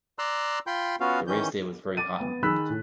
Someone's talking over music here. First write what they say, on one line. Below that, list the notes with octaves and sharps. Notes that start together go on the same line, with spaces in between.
The race day was very hot and humid.
D5 A#5 C6 E6 F#6
F4 G5 B5 C6 G6
B3 C#4 F4 F#4 F5
D#3 E3 C#4 G6
D6 A6 D#7
B3
D#3 G#4 B5 E6 F#6 B6
A2